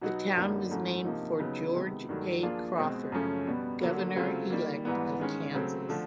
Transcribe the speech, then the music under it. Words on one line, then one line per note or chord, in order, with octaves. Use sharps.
The town was named for George A. Crawford, governor-elect of Kansas.
B2 F#3 B3 D#4 F#4
F#2 D3 G3 A#3 D#4
G#2 E3 A3 C#4 F#4
C3 F3 A#3 D#4
C#3 F#3 B3 D#4
C3 D#3 G#3 B3
G2 D#3 F#3 A3
F3 A#3 D4 F4 G#4
B2 G#3 C4
F#2 C#3 F3 A3 C#4
B2 G3 B3
D3 F#3 A#3
C#3 F#3 A3 C4 F4
D#3 G3 A#3
G#2 E3 G3 B3
D#3 G#3 C#4
C#3 F#3 A3 C4
D3 F3 A3